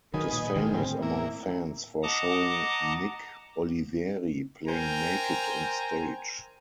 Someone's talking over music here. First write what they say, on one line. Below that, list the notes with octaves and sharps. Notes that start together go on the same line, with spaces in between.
It is famous among fans for showing Nick Oliveri playing naked on stage.
D#3 F#3 G#4 B4 D#5
A#2
D3 D#3 G3 G#3
A2 C4
A#3 E4
D#5 F#5 A5 A#5 D6 D#6
A#4 C5 G5 G#5 A#5